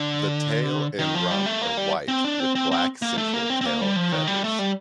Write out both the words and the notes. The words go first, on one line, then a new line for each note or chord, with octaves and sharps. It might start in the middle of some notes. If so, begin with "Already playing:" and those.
The tail and rump are white with black central tail feathers.
Already playing: D3
D#3
F3
G3
A3
A#3
G3
C4
D4
C4
C4
C4
A#3
A3
A#3
C4
C4
A#3
G3
F3
D#3
G3
A3
G3